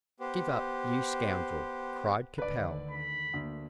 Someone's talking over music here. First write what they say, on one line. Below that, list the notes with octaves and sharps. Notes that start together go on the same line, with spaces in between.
"Give up, you scoundrel!" cried Capel.
B3 G4 C5
D2 D3 D#3 B4 D5
B5
D2 A#3